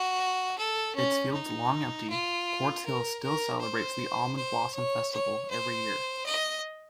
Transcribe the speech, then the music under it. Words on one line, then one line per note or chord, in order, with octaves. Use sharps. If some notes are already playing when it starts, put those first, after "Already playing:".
Its fields long empty, Quartz Hill still celebrates the Almond Blossom Festival every year.
Already playing: F#4
A4
C#4
D#4
F4
A#4
A#4
C5
C5
C#5
C#5
C5
D#5